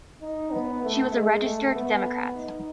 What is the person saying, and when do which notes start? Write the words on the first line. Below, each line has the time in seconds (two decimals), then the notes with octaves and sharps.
She was a registered Democrat.
0.22 D#4
0.52 B3
0.82 A3
1.13 G#3
1.43 A3
1.74 B3
2.34 D#4